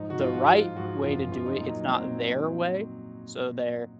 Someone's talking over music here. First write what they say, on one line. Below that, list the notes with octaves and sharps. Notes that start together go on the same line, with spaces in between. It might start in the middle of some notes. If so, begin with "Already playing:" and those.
the right way to do it, it's not their way. So, they're
Already playing: G#2 F3 D#4
F#4
G#2 F3 F4
F#4
G#2 F3 F4
G#2 F3 F#4
F#2 F3 F4
F#2 F3 F4
D#4
A#2 F#3
A#2 F#3 C4